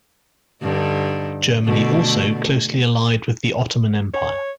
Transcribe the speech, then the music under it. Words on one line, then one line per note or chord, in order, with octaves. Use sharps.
Germany also closely allied with the Ottoman Empire.
G2 D3 D#4
B2 D3 A3
C#5